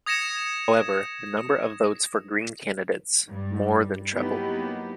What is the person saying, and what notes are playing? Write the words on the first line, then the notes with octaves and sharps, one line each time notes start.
However, the number of votes for Green candidates more than trebled.
D#6 G#6 A#6 C#7 E7
G2 G3
F#3 A#3 B3 D#4 E4 G4